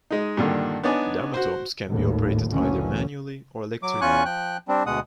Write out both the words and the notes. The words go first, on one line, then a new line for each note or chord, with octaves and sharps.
Dermatomes can be operated either manually or electrically.
G#3 D#4
G2 A#2 D3 D#3
B3 D4 D#4 C#5 D5 G#5
F#4 C5
G#1 D#2 A2
F#1 D2 A#2 D3 E3 C#4
F#3 D6
E2 C#4 F4 G#5 C#6 F#6
F3 G5 F#6
G3 C4 D4
D2 B2 G#3 F#5 D#6